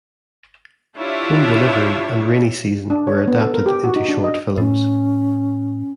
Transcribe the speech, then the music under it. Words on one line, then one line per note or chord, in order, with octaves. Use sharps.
"Home Delivery" and "Rainy Season" were adapted into short films.
D4 E4 F4 G4 C#5 E5
D4
C#5
B3
A4
A#4
G4
F#4
D#4
D4
D#5
A2 C#4